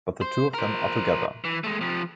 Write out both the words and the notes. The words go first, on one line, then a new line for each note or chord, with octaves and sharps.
But the two of them are together.
C5
A#4 C5
E3
G#3 A3
C3 F3